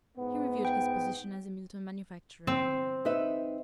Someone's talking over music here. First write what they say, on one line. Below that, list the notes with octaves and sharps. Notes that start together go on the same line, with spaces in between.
He reviewed his position as a Milton manufacturer.
G#2 B3
G5
C4
D#4 B4 E5